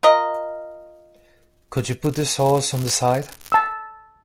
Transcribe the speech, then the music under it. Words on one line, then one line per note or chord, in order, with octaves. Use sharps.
Could you put the sauce on the side?
F4 A#4 D#5
A5 E6